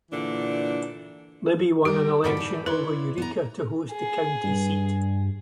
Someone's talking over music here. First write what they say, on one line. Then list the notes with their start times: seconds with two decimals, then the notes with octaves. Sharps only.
Libby won an election over Eureka to host the county seat.
0.12 A#2 D3 E3 D4
1.85 G3 G4 A#4
2.24 G#2 B2 D3 A4 D5 B5
2.37 E3 D#4
2.66 E4 B4 C#5 D5 C6
3.18 B3 A#5
3.92 G#4
4.43 G2